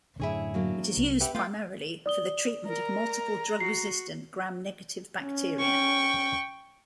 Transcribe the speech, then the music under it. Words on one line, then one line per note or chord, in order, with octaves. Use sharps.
It is used primarily for the treatment of multiple drug-resistant, Gram-negative bacteria.
F#2 A2 D3 E4 G#4 C#5
F#3 A#3 D4
C2
G4 B4 E5 F#5
A3 F4 G5
D5 D#6 G7
A#4 A#5
F#4 C7
C#4
G5 C#6